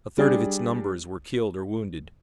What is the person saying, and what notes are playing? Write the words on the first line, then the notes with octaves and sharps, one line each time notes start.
A third of its numbers were killed or wounded.
G3 D4 G#4 D5